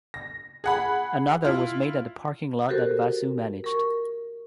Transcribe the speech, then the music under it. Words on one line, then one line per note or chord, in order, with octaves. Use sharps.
Another was made at the parking lot that Vasu managed.
A#6
G#4 F#5 B5
E4 F4
F#4 G4 A4 A#4 C5
A#4 C#6